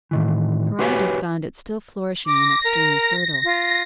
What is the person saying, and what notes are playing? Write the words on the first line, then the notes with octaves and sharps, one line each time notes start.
Herodotus found it still flourishing and extremely fertile.
A2 D#3 E3
F#4 G4 B4 C#5 G#5
D6 A#6
A#4
F4